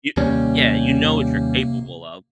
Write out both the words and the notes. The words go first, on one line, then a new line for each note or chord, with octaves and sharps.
You yeah, you know what you're capable of.
D#2 C3 G3 A#3 C#4